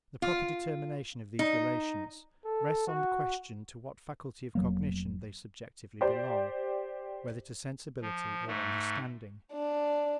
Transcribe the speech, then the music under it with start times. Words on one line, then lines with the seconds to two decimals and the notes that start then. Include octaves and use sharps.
The proper determination of these relations rests on the question, to what faculty of cognition they subjectively belong, whether to sensibility or understanding?
0.22 F4
1.39 D#4
2.45 A4
2.87 F#4
4.55 F1 F#3 A#3
6.01 G4 C5 D5
8.02 F3
8.47 G#2 A3
9.53 D4